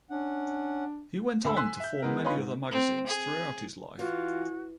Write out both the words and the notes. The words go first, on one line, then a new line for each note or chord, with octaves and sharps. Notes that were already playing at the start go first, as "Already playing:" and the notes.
He went on to form many other magazines throughout his life.
C#4 D4 F#5
D2 A4 B5 E6
G#5 C6 E6 F#6 B6
E5 G6
E3 G#3 B3 A#4
C#4 D#4 F4 B4 B5 C6
G#2
C4
G#4
E3 F4 F#4